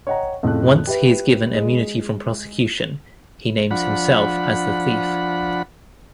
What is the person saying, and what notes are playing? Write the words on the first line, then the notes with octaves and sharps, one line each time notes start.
Once he is given immunity from prosecution, he names himself as the thief.
C#5 D#5 F#5 G5 A#5
F2 A2 C#3 F#6
G4 B4 E5
G#3
F3 D4 F#5 B5